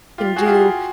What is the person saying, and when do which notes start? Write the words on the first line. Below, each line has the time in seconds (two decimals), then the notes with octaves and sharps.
can do
0.18 F4 G4
0.36 F#4 G#4
0.45 F4 G4